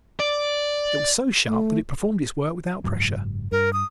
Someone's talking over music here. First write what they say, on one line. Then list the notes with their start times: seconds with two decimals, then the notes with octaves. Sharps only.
It was so sharp that it performed its work without pressure.
0.19 D5
1.46 A3
2.84 F#1 G#2 F#3
3.52 G2 A#4
3.73 D#6